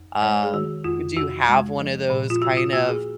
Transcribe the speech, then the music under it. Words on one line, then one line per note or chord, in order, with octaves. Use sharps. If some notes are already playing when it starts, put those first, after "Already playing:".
Um, do you have one of those kind of
Already playing: F2
G#3 C#5
G#4
D#3 F#4
F2 F4
F2 F#4
G#3
F3
A#2
F4
A#2 F#4
F4
A#3 F#4
G#4